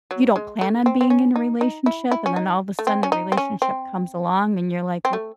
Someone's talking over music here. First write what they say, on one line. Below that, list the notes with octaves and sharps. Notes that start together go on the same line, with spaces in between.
you don't plan on being in a relationship, and then all of a sudden, a relationship comes along, and you're like,
F#3
G#3
A3
C4
C4
C#4
D#4
D#4
E4
E4
C#4
D#4
A3
C4
C#4
D#4
C4
C#4
C4
C4
A3